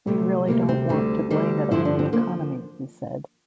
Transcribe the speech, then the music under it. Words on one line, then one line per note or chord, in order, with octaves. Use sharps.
"We really don't want to blame it on the economy," he said.
D2 C3 G3 A3
D2 C3 G3 A#3
C4
D2 D3 G3
D2 D3 G3
G2 D3 F3 E4
D4
C4
D3 F3 A#3